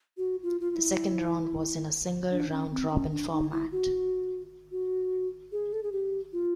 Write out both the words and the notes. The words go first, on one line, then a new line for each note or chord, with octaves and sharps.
The second round was in a single round-robin format.
F#4
F4
F4
F4
E4
D4
C#4
C4
C#4
D4
D#4
E4
F#4
F#4
G#4
A4
G#4
G4
F4